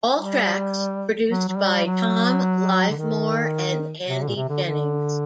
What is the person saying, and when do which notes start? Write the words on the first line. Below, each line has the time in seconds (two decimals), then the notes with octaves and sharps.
All tracks produced by Tom Livemore and Andy Jennings.
0.17 G3
1.29 F#3
1.48 F#3
1.57 G3
1.85 F#3
2.89 D3
2.96 D#3
4.07 C3
4.22 D3
4.28 A#2
4.36 C3
4.49 D3
4.63 D3